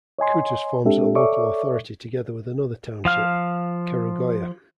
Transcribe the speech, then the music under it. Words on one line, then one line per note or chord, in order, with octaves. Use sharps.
Kutus forms a local authority together with another township, Kerugoya.
C#5 D#5 G#5 C6
G#3 C4 D4 G4 A4 E5
A4 C#5 D5 E5 C#6 D6
F3 F5 F6